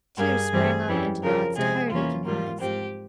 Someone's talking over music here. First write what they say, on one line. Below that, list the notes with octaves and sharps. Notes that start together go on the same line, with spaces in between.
Tears sprang up into Nod's tired, aching eyes.
G2 G3 A#3 G#4
G2 E3 G3 C4
F2 E3 G3 C#4
F2 C#3 F3 A#4
C3 F3 G#3 C4 G#4
E2 E3 A#3 C#4 F4
G#2 E3 G3 A#3 F4
G#2 F3 C4 G4